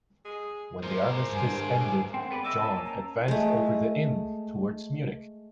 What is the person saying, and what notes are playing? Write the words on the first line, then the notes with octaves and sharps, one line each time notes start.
When the armistice ended, John advanced over the Inn towards Munich.
G#4
G#2 A#4 C5 C6
G2 G#4 D7
C4 F#5 G5
B3 G#4 A#4 B4 D5
C5 D#5 E5 D6 E6
A#3 C#4 G#5 A5
A#5
G#3 A3